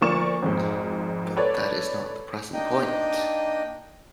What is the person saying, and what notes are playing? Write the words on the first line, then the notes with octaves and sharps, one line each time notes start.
But that is not the present point.
D2 F3 A#3 D5 C#6 E7
G#1 F2 G#2
A4 B4 C#5 D5
A#3 D4 D#4 D#5 G5